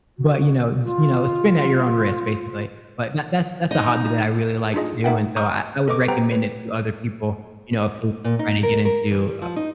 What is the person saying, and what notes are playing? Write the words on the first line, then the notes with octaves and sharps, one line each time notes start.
but, you know you know, spin at your own risk, basically. But that that's that's a hobby that I really like to do, and so I I would recommend it to other people, you know, if they were trying to get into a
F#4
F4
D#4
D4 D#4 F4 G#4 D#5
A3 D#4 A#4 E5 F#5 G5
A#5 C#6 D#6 F6 G6
A4 B4 D#5 C#6 D6
B3 G4 B4 C5 G5 A#5
B4 C#5
A#2
D#4
A#4
A#4
E3
G3
F3
D#4